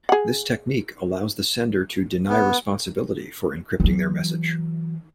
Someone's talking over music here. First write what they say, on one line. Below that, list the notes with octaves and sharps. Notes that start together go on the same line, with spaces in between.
This technique allows the sender to deny responsibility for encrypting their message.
G#4 F#5
B3
E3 F#3